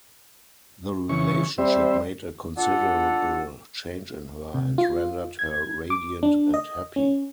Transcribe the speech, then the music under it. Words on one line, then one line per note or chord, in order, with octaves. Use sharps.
The relationship made a considerable change in her, and rendered her radiant and happy.
C#3 E3 C#6
G3 C4 C5 E5
D4 F4 A4 F#5
C3
F4
G#6
D6
D4
D#5
C#4